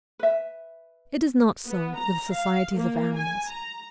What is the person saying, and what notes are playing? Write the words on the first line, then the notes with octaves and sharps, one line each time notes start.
It is not so with societies of animals.
B4 E5
B3
A#5
F5
A#3
G#5
A#5